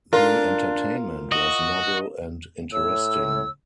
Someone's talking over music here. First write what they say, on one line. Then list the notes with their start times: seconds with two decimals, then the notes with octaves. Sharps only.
The entertainment was novel and interesting.
0.13 D4 F4 A#4
1.32 F#4 D#5
2.72 A2 C#5 E6